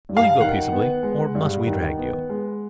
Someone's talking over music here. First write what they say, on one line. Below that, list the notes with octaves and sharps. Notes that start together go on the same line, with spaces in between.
"Will you go peaceably or must we drag you?"
G2
F5
D#3 F#5
B3
G#3
G2
D#3
B3
G#3